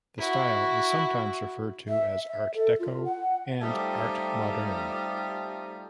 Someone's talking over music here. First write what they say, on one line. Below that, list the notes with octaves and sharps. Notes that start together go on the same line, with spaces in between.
The style is sometimes referred to as Art Deco and Art Moderne.
E4 F#4
E5
E5
A4
F4
F#5
G3 A3 C4 D#4 F4 G4